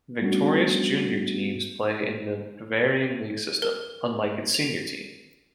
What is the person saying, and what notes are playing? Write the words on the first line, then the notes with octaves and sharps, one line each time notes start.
"Viktorias" junior teams play in the Bavarian league system, unlike its senior team.
G3 A3 B3 C#4 D4 F#4
A#4
F7